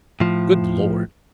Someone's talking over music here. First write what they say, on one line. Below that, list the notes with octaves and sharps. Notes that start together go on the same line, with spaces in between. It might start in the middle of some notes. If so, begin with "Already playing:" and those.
Good Lord!
A2 F3